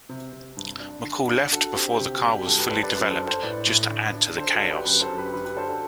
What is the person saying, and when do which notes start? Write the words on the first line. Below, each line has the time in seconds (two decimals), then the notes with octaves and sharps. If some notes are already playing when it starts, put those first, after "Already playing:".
McCall left before the car was fully developed, just to add to the chaos.
0.09 C3
0.32 C3
0.57 G2
0.80 D4
1.04 D3
1.28 D4
1.51 D3 F#4 A4
1.75 C4 G4
1.99 C3 G4
2.15 F#4
2.24 D4
2.31 G4
2.47 G2 F#4 A4
2.59 G4 B4
2.70 D4 A4 C5
2.83 B4 D5
2.95 F#2 B4 D5
3.11 A4 C5
3.18 D4
3.26 A4 C5
3.43 A2 B4 D5
3.66 A2
3.90 D3
4.14 D4
4.38 D3 A4 C5
4.54 F#4 A4
4.61 D4
4.70 G4 B4
4.85 F#2 G4 B4
5.01 A4 C5
5.09 F#2
5.18 G4 B4
5.33 D3 G4 B4
5.45 G4 B4
5.56 D4 A4 C5
5.69 F#4 A4